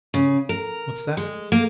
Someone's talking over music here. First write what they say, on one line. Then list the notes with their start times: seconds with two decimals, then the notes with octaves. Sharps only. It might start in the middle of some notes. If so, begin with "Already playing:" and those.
What's that?
0.14 C#3
0.49 A#4
1.17 G#3
1.52 A#3